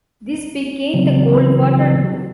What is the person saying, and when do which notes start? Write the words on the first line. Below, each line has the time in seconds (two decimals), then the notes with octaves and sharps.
This became the Goldwater rule.
0.94 C#3 E3 F#3 C4